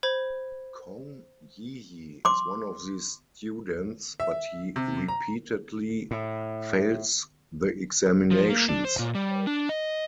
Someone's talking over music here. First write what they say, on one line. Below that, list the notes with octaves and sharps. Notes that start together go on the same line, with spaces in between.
Kong Yiji is one of these students, but he repeatedly fails the examinations.
C5 B5 G#6
C6 D6
E5
C3
A#5
A2
F3
A#3
D4
C5
A#2
G3
D4
D#5